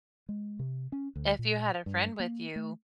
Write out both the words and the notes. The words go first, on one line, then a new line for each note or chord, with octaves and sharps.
If you had a friend with you,
G#3
C3
C#4
D2
A#2
G2
A#3
A3